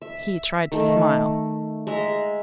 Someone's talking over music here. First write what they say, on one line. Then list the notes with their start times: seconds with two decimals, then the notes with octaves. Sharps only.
He tried to smile.
0.02 E5
0.72 D#3 A3
1.87 G#3 E5 A#5